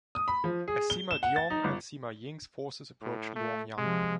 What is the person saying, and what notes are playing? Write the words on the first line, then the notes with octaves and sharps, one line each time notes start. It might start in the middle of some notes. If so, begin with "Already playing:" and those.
As Sima Jiong and Sima Ying's forces approached Luoyang.
D#6
B5
F3
G#4
G7
E7
F#5
A6
D#4
G1
A2
A3
C3 F3 G#3